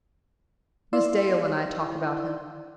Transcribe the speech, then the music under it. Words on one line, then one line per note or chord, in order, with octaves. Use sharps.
Miss Dale and I talk about him.
E4 D5 F5 C6 E6